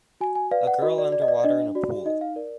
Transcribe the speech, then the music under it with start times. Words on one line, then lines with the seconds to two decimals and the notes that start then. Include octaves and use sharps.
A girl underwater in a pool.
0.21 F#4 G#5
0.35 G#5
0.51 B4 D5 F5
0.67 F#5
0.82 F#4 D#5
0.98 D5
1.12 D5
1.22 D#5
1.28 D5
1.40 D5
1.44 D4 D#5
1.75 F#4 D5
2.05 D#4 D#5
2.21 F5
2.36 A#4 D5